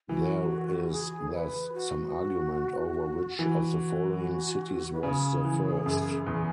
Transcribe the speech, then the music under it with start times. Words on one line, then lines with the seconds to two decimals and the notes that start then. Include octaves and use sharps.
There is thus some argument over which of the following cities was the first.
0.09 E3 F#4
0.91 G#4
1.33 B4
1.74 F#4
3.38 E3 F#4
4.93 B4
5.03 C#3 G#4
5.45 E3
5.86 F#2
6.26 E2